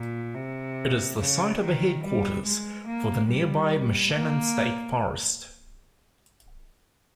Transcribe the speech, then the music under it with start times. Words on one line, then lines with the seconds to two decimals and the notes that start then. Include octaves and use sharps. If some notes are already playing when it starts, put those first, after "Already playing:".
It is the site of the headquarters for the nearby Moshannon State Forest.
Already playing: A#2
0.35 C3
1.19 C#3
1.61 D#3
2.04 G3
2.45 G#3
2.87 A#3
3.29 G3
4.12 A#3